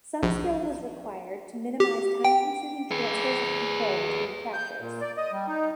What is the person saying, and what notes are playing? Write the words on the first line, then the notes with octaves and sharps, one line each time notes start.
Some skill was required to minimise time-consuming transfers of control between chapters.
A#1
G4
G5
G#4 B4
G6
A#2
D5
D#5
G3
D#4